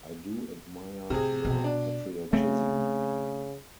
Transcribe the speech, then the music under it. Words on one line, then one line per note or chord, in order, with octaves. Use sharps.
I do admire your patriotism.
A2 C3 G#4
B2
D4
C#3 A3 C4